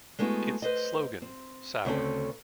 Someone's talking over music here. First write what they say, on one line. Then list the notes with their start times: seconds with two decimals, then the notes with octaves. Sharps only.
Its slogan, Sour.
0.19 G#3 A3 B3 D#4 E4 F#4
0.62 B4 C5 D#5
1.22 C4
1.85 D2 C#3 C4 A4